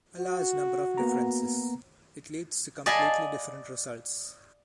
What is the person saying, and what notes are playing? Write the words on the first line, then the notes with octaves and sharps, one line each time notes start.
A large number of differences! It leads to completely different results.
F#4
A#3 B3 A#5
D5 D#5 F5 G#5 A5 B5